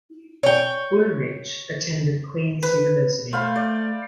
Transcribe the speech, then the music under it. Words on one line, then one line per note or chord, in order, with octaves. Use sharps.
Ullrich attended Queens University.
C#5 G5
B4
A3 C5 F5 B5
D5